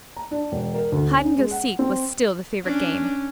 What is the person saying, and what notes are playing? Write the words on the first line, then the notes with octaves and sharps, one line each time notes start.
Hide-and-go-seek was still the favorite game.
A#5
D4
E1
A#4
D2
C#4
G#3
F#5
C4
C#4 D4